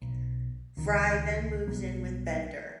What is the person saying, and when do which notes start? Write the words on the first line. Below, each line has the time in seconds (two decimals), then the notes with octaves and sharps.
Fry then moves in with Bender.
0.02 B1
0.77 C#2 D#3
1.67 B1 F#3 G3 B3